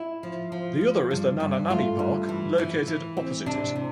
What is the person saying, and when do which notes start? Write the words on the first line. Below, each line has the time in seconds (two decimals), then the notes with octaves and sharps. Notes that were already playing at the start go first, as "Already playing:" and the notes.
The other is the Nana Nani Park, located opposite it.
Already playing: E4
0.23 F3
0.52 F3
0.81 F3
1.11 G2
1.40 G2
1.70 A3 F4
1.99 G2
2.29 E3
2.58 E3
2.87 E3
3.17 C4
3.46 C3 D4
3.75 C3